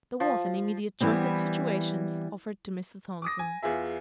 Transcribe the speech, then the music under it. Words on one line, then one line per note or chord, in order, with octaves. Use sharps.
There was an immediate choice of situations offered to Mr. Thornton.
F3
E3 G3 B3 C4
D6 D#6 A#6
G#5
E2 F4 G#4 E5